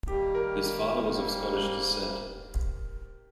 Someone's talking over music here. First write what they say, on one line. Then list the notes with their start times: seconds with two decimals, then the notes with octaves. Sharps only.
His father was of Scottish descent.
0.08 D#3 G3 A#3 G4
0.35 A#4
1.11 G#2 G3 A#3